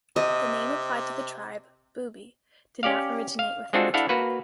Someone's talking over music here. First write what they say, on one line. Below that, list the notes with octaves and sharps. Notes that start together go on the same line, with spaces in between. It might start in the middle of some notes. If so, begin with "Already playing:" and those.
The name applied to the tribe, "Bubi", did not originate from within the tribe.
C3 D#5
C#4 G4 D5 F5
F5
G#3 C4 D4 F4 F#4 A4
D4 E4 A4 F5 F#5
A#3 F#4 B4